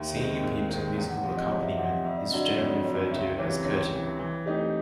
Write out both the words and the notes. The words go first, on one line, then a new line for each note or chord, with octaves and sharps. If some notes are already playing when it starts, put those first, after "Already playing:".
Singing of hymns with musical accompaniment is generally referred to as "Kirtan".
Already playing: D#2 E5
D#3 G#3 C4
D#2
D#3 G#3 C4
E2 F5
F#5
C3 F3 F5
D#5
E2 C#5
E5
C3 F3 F#5
F5
F2 E5
D5
D3 F#3 D#5
D5
F2 C#5
C#5
D3 F#3 C#5
C#5
C#2 E5
F5
C3 E3 C#5
C#5
C#2 C#5
C3 E3
E3
A3 C4 D#4 G4